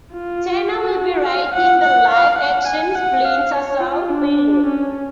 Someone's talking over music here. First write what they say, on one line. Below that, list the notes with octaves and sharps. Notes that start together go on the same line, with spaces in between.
Turner will be writing the live action "Splinter Cell" film.
F4
F#4
F5
F#5
F#5
F5
F#5
G#5
F#5
F5
C#5
F4
D4
C#4